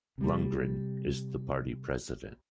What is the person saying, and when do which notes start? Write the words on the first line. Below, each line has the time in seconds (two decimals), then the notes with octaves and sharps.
Lundgren is the party president.
0.18 C3 G3